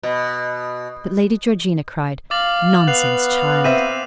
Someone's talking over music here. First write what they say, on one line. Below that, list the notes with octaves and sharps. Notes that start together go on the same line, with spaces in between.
But Lady Georgina cried, 'Nonsense, child!
B2
F5 D6 A6 F#7
B3 F5 F#6 C7 F7
C4 E5 D#7